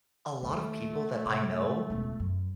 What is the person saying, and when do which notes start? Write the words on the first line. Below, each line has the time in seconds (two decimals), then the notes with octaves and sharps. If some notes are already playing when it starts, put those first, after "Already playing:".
A lot of people that I know,
0.42 D#2 D#3 A3
1.25 C3
1.90 E1 C#2
2.20 F#2